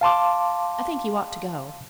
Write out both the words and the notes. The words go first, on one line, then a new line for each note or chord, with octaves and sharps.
I think you ought to go.
F5 A5 C6 D6